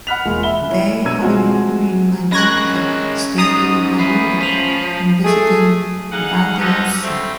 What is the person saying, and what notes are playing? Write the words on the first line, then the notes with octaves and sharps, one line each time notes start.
They honeymooned in Majorca, staying in Paguera and visiting Valldemossa.
F#5 B5 F6 F#6 B6 F7
E1 G#3 A#3 F4
E5 B5 G7
E4 C#5
B2 D4 A#5 E6 G#6 D#7
F3 G#3 C4 F4 F#4
G#3 C#4 A#4 B5 C#6 F#6 G#6 A#6
G#2 A#5 D#6 C7 F7
B3 E4 B6 C7 D#7
F3 B6 F7 F#7
A3 G#4
D#4 G#4 F5 F#5
D3 F3 B3 C#4 D#4
D3 G3 A3 C4